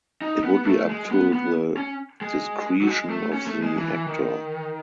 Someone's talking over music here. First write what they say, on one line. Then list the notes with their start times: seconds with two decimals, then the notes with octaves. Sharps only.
It would be up to the discretion of the actor.
0.22 D#4
0.44 B3
0.66 A3
0.89 G#3
1.11 B3
1.33 B3
1.77 C#4
2.21 G#3
2.82 F#3
2.87 G#3
3.10 A3
3.33 C#4
3.47 A3
3.62 G#3
3.77 E3
3.91 E3
4.06 D#3